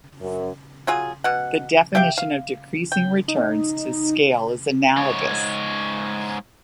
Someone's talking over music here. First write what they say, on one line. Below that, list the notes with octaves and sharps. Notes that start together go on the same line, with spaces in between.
The definition of decreasing returns to scale is analogous.
F#2
F#3 F4 G#4
B2 F#5
G4 E5 F5 G5
F5
G5
D#4
G#2 C#5